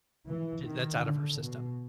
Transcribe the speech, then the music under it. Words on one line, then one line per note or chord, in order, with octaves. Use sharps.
and that's out of her system.
E3
D#3
D3
B2